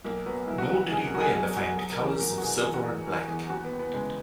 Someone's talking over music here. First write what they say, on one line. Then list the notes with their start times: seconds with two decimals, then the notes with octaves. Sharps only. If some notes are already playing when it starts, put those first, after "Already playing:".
Nor did he wear the famed colors of silver and black.
0.04 B1 A#3
0.26 F#3 B3
0.47 B1 E4
0.58 F#4
0.69 B1 F#4
0.91 B1 G#4
1.06 A#4
1.13 F#3 F#4
1.20 G#4
1.34 B1 G#4
1.56 B1 F#4
1.77 F#3 G#4
1.92 A#4
1.99 E2
2.06 A#4
2.20 F#3 A#4
2.38 F#4
2.42 B2 G#4
2.63 E2 G#4
2.74 F#4
2.85 E2 G#4
3.07 E2 A#4
3.28 E2 G#4
3.50 D#2 F#4
3.64 B3
3.72 D#2
3.79 B3
3.94 C#3 G#3